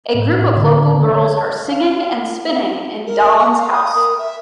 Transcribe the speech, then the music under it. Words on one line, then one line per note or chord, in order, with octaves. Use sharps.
A group of local girls are singing and spinning in Daland's house.
A2
D3
C#5
F5
A#4
C#6
F5
D#6
A#4
E5